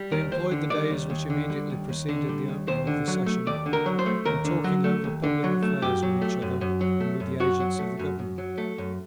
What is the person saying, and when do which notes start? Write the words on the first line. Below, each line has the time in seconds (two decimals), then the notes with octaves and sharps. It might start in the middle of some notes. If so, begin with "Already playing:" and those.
They employed the days which immediately preceded the opening of the session in talking over public affairs with each other and with the agents of the government.
Already playing: G3
0.11 D#2 A#4
0.32 D#2 C5
0.51 D3
0.70 G3 D5
0.90 D#2
1.10 D#2
1.30 D3
1.50 G3
1.70 D#2
1.89 D#2
2.09 D3
2.29 G3
2.48 D#2
2.68 D#2 C5
2.87 D3
3.08 F#3
3.26 A3
3.47 D#2 D5
3.66 D3
3.73 A#4
3.86 F#3
3.99 C5
4.06 A3
4.25 D#2 A#4
4.45 D3
4.64 F#3
4.84 A3
5.04 D#2
5.24 D3
5.44 F#3
5.63 A3
5.82 F#2 G4
6.03 F#3
6.22 A3
6.42 F#2
6.61 F#2
6.81 F#3
7.00 A3
7.20 F#2
7.40 F#2 F#4
7.60 F#3
7.79 A3
7.99 F#2
8.19 F#2
8.38 F#3
8.58 A3
8.78 F#2